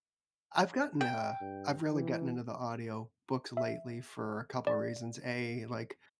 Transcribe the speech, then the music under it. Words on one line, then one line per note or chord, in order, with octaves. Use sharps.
I've gotten, uh, I've really gotten into the audiobooks lately for a couple reasons. A, like,
G5
G2
E3
E5
D5